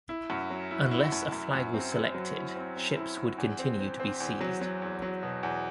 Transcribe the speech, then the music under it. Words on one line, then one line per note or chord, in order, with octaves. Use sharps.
Unless a flag was selected, ships would continue to be seized.
E4
F#2
F#3
E4
E4
F#2
F#2
F#2
C4
C4
F#3
E4
C4
C4
E4
E4
E2
C4
C4
C4
E2
F#3
F#3
E2
F#3
B2
E2